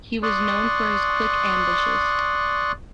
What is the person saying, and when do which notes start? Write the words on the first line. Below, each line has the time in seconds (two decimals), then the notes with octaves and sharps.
He was known for his quick ambushes.
0.23 D5 C6 C#6 D#6 F#6